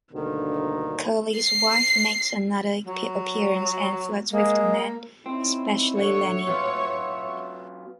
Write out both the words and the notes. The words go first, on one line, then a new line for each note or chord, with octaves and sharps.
Curley's wife makes another appearance and flirts with the men, especially Lennie.
D2 G2 B2 D3 D#3 A#3
C7
F#3
G#3 A#3
C4 C#4 D#4 E4
D3 C#5 E5 F#5
F#3 B3 F4